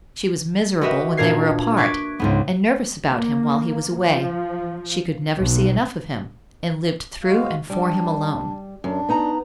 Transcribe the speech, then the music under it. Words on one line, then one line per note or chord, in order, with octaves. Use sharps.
She was miserable when they were apart, and nervous about him while he was away; she could never see enough of him, and lived through and for him alone.
F#4 G4 A#4 B4 D#5 E5
A#2 D4 A#4 G#6 C7
C#6 D6 F#6 G#6 B6 D7
C#2 G#2 B3
A#3
F3
B1
G#3 F#4 F5
G3 D4
F#2 D4
B3 D#4 A#5